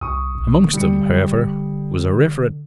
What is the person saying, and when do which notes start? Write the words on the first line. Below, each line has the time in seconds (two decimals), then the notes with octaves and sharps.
Amongst them, however, was a Rev.
0.01 C2 C#6 D#6
0.35 A#1
0.58 D3
0.73 G3 C#7